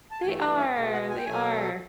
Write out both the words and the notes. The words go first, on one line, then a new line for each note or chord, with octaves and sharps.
They are, they are.
A5
G2 E3 A3 G#5
A#5
E5
B2 G#3 F5
F#5
G#5
G5
B2 F#3 A3 G#5